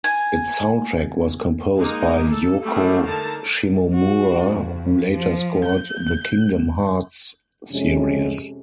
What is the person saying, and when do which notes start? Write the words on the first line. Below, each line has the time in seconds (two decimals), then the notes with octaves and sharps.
Its soundtrack was composed by Yoko Shimomura who later scored the "Kingdom Hearts" series.
0.04 G#5
1.77 G#3 A#3 D#4
2.29 A4
2.64 G3 A3 C4 D4 E4 G#4
3.04 D3 D#4 A#4 A5 A#5
3.92 F#4
4.54 F2
5.13 F3
5.65 G6
7.72 F2 C3 G#3 C#4